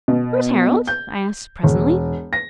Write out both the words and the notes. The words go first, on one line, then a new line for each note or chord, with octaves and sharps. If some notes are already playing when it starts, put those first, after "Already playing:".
"Where's Harold;" I asked presently.
B2
G6
E1
A#6